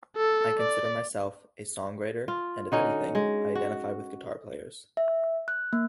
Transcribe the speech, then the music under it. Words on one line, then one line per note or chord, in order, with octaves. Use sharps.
I consider myself a songwriter, and if anything, I identify with guitar players.
A4
D5
F4
D3 C#4 D#4 F#4
G#3
F#4
E5
F#6
A#3